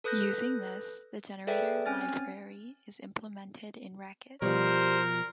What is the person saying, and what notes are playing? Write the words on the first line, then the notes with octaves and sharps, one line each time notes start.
Using this, the generator library is implemented in Racket.
A4 B4 D#6 F#6 G6 A#6
G#4 A4 B4 D5 E5 G5
C4 C#4 G#5 F6 A6
B2 F3 G3 A#4 C5